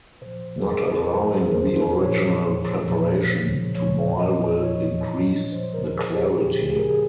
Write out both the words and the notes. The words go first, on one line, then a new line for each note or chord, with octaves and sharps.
Not allowing the original preparation to boil will increase the clarity.
A#2 F3 C5
G#4
A#4
A#4
A#2 F3 C5
G#4
A#4
C5
A#2 F3 C#5
A#2 F3
A#2 F3 C#5
D#5
A#2 F3 C#5
A#2 F3 C5
A#4
A#4
G#4
G4
G#4
A#2 F3 G4
G#4
A#4
G#4